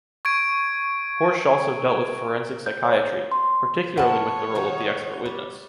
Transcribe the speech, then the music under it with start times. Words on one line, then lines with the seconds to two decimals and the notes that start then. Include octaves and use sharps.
Hoche also dealt with forensic psychiatry, particularly with the role of the expert witness.
0.25 C#6 G#6 D7
2.66 G6
2.84 C#5
3.31 C6
3.98 F3 B3 C#5 F#5 A5
4.55 D#3 F#4
5.26 G3